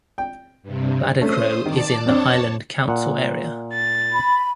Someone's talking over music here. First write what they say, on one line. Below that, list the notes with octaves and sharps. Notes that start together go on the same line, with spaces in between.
Badachro is in the Highland council area.
G5
G2 C3
A3 C#4 C5 D#6
D#3 D5 A5 D6
F2 C4 D4 C#5 A5
A#2 F#5
A6
B5